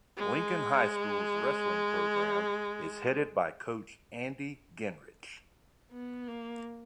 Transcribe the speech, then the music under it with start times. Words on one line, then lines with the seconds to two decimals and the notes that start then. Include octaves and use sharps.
Lincoln High School's wrestling program is headed by coach Andy Genrich.
0.17 G#3
5.93 B3
6.28 A#3